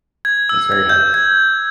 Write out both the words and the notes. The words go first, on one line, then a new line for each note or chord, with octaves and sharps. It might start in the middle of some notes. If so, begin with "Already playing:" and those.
It's very hard.
G#6
E6
G#6
G6
G#6